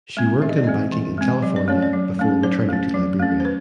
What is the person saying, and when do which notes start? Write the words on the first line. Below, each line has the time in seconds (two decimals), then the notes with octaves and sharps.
She worked in banking in California before returning to Liberia.
0.17 G#3 C4
0.42 E3 E5
0.49 D#5
0.57 D5
0.64 G#3 C4 D#5
0.92 E3
1.18 G#3 C4
1.42 F#3 D#5
1.56 D5
1.68 A3 C#4 C#5
1.83 D5
1.93 F#3
2.19 A3 C#4
2.43 F#3 C5
2.69 A3 C#4
2.94 F#3
3.20 A3 C#4
3.40 C5
3.45 B4